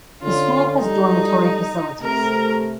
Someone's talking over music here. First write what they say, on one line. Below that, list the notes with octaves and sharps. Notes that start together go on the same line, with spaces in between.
The school has dormitory facilities.
D3 C#4 F4
G3 D#4 A4
C3 A3 A#4